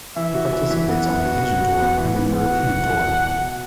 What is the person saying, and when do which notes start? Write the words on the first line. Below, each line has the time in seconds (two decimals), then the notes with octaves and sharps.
He participates on the Asian Tour and the European Tour.
0.16 E3 E5
0.34 F#4
0.53 E3
0.71 E3
0.89 B3 F#5
1.06 B3
1.25 F#4
1.43 F#4
1.60 F#4
1.80 B3
1.98 E3
2.16 B3
2.33 E3 F#5
2.51 F#4
2.69 F#4
2.87 E3
3.05 B2
3.23 B2
3.41 B2